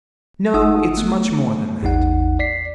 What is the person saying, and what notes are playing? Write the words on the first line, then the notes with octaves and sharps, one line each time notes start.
No, it's much more than that.
G1 D#4 F#5 D#6 E6
A3 B3
A1 E2 D#4 F#5
D5 B6 C7